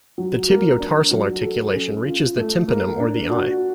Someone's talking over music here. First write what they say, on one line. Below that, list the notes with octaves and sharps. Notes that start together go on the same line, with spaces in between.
The tibio-tarsal articulation reaches the tympanum or the eye.
F#3
A#3
D4
F#3
A4
C#4
F4
A3
A#3
D4
F#4